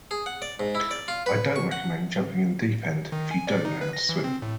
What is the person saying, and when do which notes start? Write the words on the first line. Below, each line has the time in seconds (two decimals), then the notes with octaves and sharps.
I don't recommend jumping in the deep end if you don't know how to swim.
0.11 G#4
0.26 F#5
0.42 D5
0.60 G#2
0.75 E4
0.91 D5
1.08 F4
1.26 B4
1.56 C#6
1.72 F#5
3.12 D#3
3.31 G#5
3.47 D5
3.65 D#4
3.81 B4
3.93 A#6
4.09 E3
4.24 C4
4.42 A2